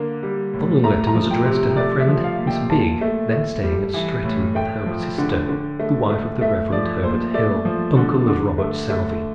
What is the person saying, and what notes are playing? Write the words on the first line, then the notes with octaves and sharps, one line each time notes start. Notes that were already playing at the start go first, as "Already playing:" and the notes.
The following letter was addressed to her friend Miss Bigg, then staying at Streatham with her sister, the wife of the Reverend Herbert Hill, uncle of Robert Southey.
Already playing: D3 A#3
G3
A2
A3 A#5
A#5
F3
G5
C3
A3 D5
E5
F3
F5
A#2
G5
A#2 A5
A3
A3
G3
E3
A2
A3 G5
F3
D3
D3
A3
A3
A3 E5
F3 D5
A#2 C5
A3 D5
F3
D3
D3
A3
A3